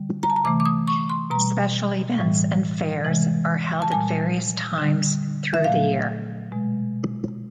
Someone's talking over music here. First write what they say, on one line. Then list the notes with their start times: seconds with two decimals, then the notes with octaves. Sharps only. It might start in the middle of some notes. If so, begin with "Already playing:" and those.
Special events and fairs are held at various times through the year.
Already playing: D3 G3
0.23 A#5
0.30 A5
0.36 A#5
0.44 C3 E3 A3 D6
0.60 D6
0.65 D#6
0.88 C#6
1.10 C6
1.30 B2 G3 A#5
2.18 A2 E3 G3
3.04 C3 E3 G#3
3.82 A5
3.91 A#2 G3 G#5
4.78 D3 G3
5.54 E5
5.64 A#2 F#3 A3 F5
6.52 B2 G#3